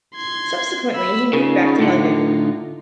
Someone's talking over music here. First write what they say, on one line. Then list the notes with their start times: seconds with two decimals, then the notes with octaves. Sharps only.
Subsequently, he moved back to London.
0.15 C6 G#6
0.94 B5 E6
1.33 C#3 D#4 F4
1.79 A2 D3